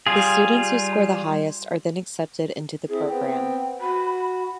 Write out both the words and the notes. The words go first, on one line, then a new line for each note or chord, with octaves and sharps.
The students who score the highest are then accepted into the program.
G3 F4 G#4
C4 E4 G#4
B3 C4 G5
F#4 B5